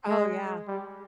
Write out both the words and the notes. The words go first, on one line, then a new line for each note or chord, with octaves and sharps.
Oh, yeah.
G#3
G3